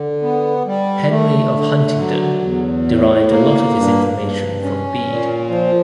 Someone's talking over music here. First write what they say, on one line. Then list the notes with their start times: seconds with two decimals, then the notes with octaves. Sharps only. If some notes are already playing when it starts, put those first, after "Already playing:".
Henry of Huntingdon derived a lot of his information from Bede.
Already playing: D3
0.22 B3
0.66 G3
1.10 A3
1.55 D3
1.99 F#3
2.42 E2
2.87 A2
3.30 A#3
3.75 G2
4.18 G2
4.62 C#4
5.07 A#2
5.50 F3